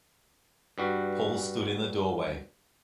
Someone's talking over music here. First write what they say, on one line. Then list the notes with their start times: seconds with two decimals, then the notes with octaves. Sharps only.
Paul stood in the doorway.
0.78 G2 G3 F#4